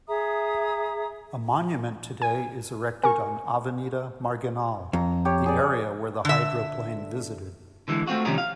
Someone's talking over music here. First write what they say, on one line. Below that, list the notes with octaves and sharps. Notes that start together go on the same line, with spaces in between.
A monument today is erected on Avenida Marginal, the area where the hydroplane visited.
G#4 E5 A#5 D#6
G#5
A#4 G#5 C#6
F2 A#5
G4 C#5
G#4 C#5 D5
D3 E5
D3 E3 G#3
A3 C4 F4 F#4
C3 D#3 F3 G3 C#4 D#4
F5